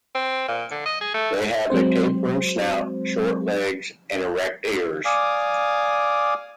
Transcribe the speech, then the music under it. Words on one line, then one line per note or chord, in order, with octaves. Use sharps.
They have a tapering snout, short legs, and erect ears.
C4
A#2
D3
D#5
G#4
A3
F#3 G#3 C4 C5
D5 F5 G#5 D6 D#6